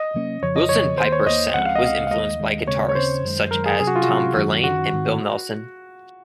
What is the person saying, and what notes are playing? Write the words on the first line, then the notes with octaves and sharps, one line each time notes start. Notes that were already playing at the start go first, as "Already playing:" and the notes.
Willson-Piper's sound was influenced by guitarists such as Tom Verlaine and Bill Nelson.
Already playing: D#5
C3 F#3 A#3 C#4
F2 C#3 F3 C#5
D#5
F2 C#3 F3 C#5
D#2 D#3 A#3 C5
C#5
D#2 D#3 A#3 D#5
C#2 C#3 F3 C4 F#5
F5
D#5
C#2 C#3 F3 C4 F5
F5
D#2 D#3 G#3 D#5
D#2 D#3 G#3
D#2 C#3 G#3 C4 C#5
C#5
D#2 C#3 G#3 C4 C5
F#2 D#3 G#3
F#2 D#3 G#3 A#4
G#4
C3 F#3 C#4 G#4
F#4
F4
F#4
C3 F#3 C#4
F#2 D#3 F#3 C#4
F#2 D#3 F#3 C#4 F#4
G#2 D#3 G#3 C4